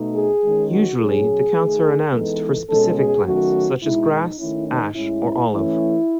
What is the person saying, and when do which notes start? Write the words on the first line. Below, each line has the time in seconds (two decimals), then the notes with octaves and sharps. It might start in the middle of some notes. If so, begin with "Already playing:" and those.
Usually, the counts are announced for specific plants such as grass, ash, or olive.
Already playing: B2 A3 D#4
0.14 G#4
0.42 D#3 G#3 C#4
0.70 F#4
0.99 B2 F#3 C#4 G#4
1.56 D#3 A3 D#4
2.12 E3 G#3 B3 D#4 A4
2.69 B2 G#3 C#4 A4
2.97 G#4
3.25 D#3 F#3 A3 C#4 F#4
3.82 B2 G#3 D#4 E4
4.10 D#4
4.39 D#3 A3 C#4 E4
4.68 D#4
4.95 A2 G#3 C#4 E4
5.52 E3 A3 C#4 E4